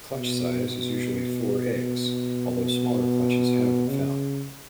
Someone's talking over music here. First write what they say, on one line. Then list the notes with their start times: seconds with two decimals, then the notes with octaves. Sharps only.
Clutch size is usually four eggs, although smaller clutches have been found.
0.16 B2
0.69 B2
1.75 B2
3.89 C#3